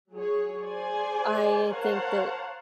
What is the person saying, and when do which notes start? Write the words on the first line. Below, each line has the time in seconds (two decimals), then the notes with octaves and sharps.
I think that
0.12 F#3 G#4 C#5
0.61 G#4 C5 D5 G#5
1.70 A#4 C5 C#5 F5 F#5 A5